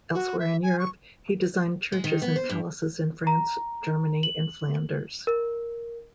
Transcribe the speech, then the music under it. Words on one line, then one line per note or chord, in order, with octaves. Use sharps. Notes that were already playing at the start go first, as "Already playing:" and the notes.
Elsewhere in Europe, he designed churches and palaces in France, Germany and Flanders.
F#4
E5
G#5
C#6
G#3
D#3
B3
C5
G2
A#5
F#7
A#4